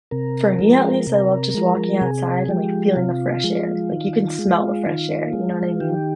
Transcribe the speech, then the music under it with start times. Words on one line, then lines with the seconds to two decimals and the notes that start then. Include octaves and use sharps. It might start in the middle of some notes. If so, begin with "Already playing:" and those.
for me at least, I love just walking outside and, like, feeling the fresh air. Like, you can smell the fresh air, you know what I mean?
0.11 C3 A#4
0.59 F3 G#3
1.07 C3
1.54 F3 G#3
2.01 C3 G#4
2.48 F3 G#3 G4
2.96 C3 F4
3.43 F3 G#3
3.91 D#3
4.39 G#3
4.86 D#3
5.33 G#3
5.80 D#3 G4